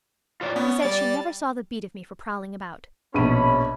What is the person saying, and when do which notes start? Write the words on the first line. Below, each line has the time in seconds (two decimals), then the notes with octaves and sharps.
She said she never saw the beat of me for prowling about.
0.41 F4 C#5 D5
0.56 B3 C#4
0.82 G3 D5 A6
3.14 A#1 B2 C#4 B5 D#7